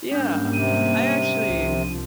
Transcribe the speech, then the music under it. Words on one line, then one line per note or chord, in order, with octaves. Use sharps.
Yeah. I actually
G#2 G3 A#3 C#4 D4 G6
C3 D#7
C2 F3